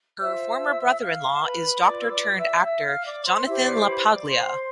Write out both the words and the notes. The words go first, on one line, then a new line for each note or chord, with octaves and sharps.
Her former brother in-law is doctor-turned-actor Jonathan LaPaglia.
F4 C5 E5 E6
F5 F6
A5
B4 B5
F4 B4 D5 D6
E6
D5 D6
E5 E6
E5 E6
F5 F6
D5 D6
C5 C6
E4 G4 C5 E5 E6
D5 D6
B4 B5
D5 D6
C5 C6